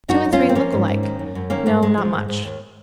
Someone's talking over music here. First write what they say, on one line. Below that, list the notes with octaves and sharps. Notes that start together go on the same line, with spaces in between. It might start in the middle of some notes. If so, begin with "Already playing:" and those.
Two and three look alike--no, not much.
F#2 D#4 F#4
F#2
C#4 F4
F3
C4
F3 A#3 C#4
G#2
G#2
D#3
F#2
F#2
D#3 A#3 C#4
G#2 A#3
G#2 G#3
F3
G#2
G#2
D#2